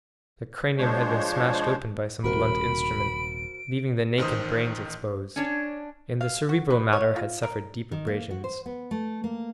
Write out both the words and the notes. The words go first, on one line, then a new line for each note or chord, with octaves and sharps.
The cranium had been smashed open by some blunt instrument, leaving the naked brains exposed, and the cerebral matter had suffered deep abrasions.
F3 G#3 D4 C5 C#5
D#1 C3 F#4 A#4 C5 B5 D7
A1 D#3 C5 D#6
C#4 D4 C#5
F5
F#4
B4
C#5
F4
A#4
D#3
A#3
F#4
C5
B3
A3
A#3